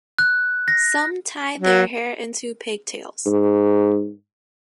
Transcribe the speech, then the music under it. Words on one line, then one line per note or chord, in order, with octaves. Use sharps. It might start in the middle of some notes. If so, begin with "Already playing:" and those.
Some tie their hair into pigtails.
F#6
A#6
F#3
G#2